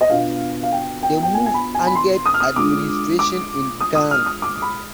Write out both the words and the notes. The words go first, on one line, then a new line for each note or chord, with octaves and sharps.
The move angered administration in Ghana.
D#5
B2 B3 D4 F4 F5
F5
G5
G5
G5
G#5
G#5
B5
G#5
B5
C6
D#6
F6
D#6
D3 G#3 D4 F4 D6
D6
D#6
D#6
F6
D#6
D6
B5